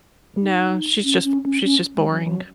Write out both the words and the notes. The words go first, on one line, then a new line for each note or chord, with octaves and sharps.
No, she's just she's just boring.
D#4
C#4
C#4
C#4
C#4
G#3
F#3
F#3